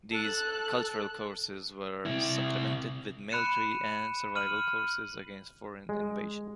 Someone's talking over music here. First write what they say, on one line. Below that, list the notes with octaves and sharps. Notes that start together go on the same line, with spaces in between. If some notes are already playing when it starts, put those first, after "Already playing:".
These cultural courses were supplemented with military and survival courses against foreign invasion.
A4 F#6
C3 E4
B5 F#6 C#7 D#7 E7
F6 D#7 F#7
G#3